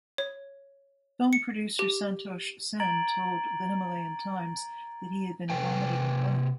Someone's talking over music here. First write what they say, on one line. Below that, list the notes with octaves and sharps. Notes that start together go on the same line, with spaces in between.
Film producer Santosh Sen told "The Himalayan Times" that he had been vomiting blood.
C#5
C#7
G4
A#5 G#6 A6 D7 F#7
C3 B4 G5 G#5